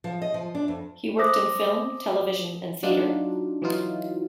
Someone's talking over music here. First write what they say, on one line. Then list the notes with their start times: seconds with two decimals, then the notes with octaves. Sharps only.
He worked in film, television and theatre.
0.04 F3
0.22 D#5
0.34 F3
0.55 D4
0.68 F2
1.19 C5 D6 D#6 A#6
2.83 F#3 D4 D#4 F4
3.62 E3 F#3 D#4 F4